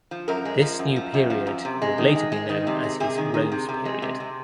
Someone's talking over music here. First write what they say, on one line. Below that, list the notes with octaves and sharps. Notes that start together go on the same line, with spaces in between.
This new period would later be known as his Rose Period.
F3
F#2 A#4
G#3
F3
F#2
F3
F#2
F3
F#2
C3
G#3
D#3
G#3
G#3
D#3
C3
G#3
C3 G#4
D#3
D#3
C3
C3
G#3
C3
C3